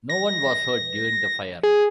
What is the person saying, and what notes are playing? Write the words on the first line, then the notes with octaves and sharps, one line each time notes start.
No one was hurt during the fire.
A#6
G#4